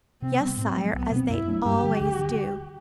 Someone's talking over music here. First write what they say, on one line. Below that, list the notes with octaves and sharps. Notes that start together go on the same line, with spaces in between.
"Yes, sire, as they always do."
C3 C4
G3 B3
A2 C4
F#3 A3
C2 B3
B2 G3 C4
F#2 E4
F#3 A3 D4
G2 G4
D3 G3
D2
D3